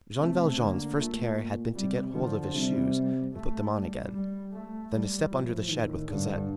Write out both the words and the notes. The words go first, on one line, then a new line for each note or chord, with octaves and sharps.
Jean Valjean's first care had been to get hold of his shoes and put them on again, then to step under the shed with Cosette.
C3 A3
D3 A#3
A#2 A3
C3 G3
D3 F3
C3 G3
A3
G3
G3
A3
G3
A2 F3
A2 D#3
G2 D3